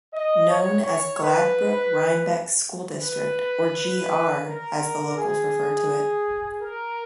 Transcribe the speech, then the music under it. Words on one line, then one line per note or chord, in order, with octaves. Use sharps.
Known as Gladbrook-Reinbeck school district or "G-R" as the locals refer to it.
D#5
C#5
C#5
B4
B4
A#4
G#4
A#4